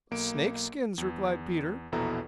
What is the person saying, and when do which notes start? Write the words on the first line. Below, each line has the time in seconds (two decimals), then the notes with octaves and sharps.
"Snake skins," replied Peter.
0.11 B1 A#3 D7
0.98 E2
1.92 A#1 E2 B2 E4 A4 A#5